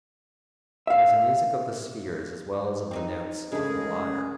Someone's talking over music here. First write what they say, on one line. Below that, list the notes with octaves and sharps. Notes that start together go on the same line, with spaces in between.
There was a music of the spheres as well as of the notes of the lyre.
E5 F5
C4 D4 D#4
C#3 G#3 A3 G#4 A#4